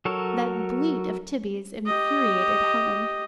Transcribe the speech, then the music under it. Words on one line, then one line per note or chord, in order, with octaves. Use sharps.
That bleat of Tibby's infuriated Helen.
F#3 A4 A#4 C#5
G4 D#5